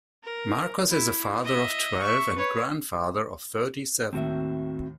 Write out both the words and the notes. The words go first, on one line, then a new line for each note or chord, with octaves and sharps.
Markos is a father of twelve and grandfather of thirty-seven.
A#4
E4
D#5 E5
E5 C#6
B4 C#5
D#2 A2 D#3 C4 F#4 E5